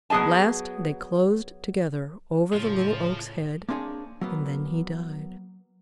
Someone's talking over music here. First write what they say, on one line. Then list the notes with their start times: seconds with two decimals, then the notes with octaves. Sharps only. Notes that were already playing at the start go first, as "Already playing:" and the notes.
At last they closed together over the Little Oak's head, and then he died.
0.10 F#3 B3 G#4 D#5 A5
2.52 A2 C#3 F3
3.69 A#3 C4 D4 G#4 C#5
4.21 F#3 A#3 B3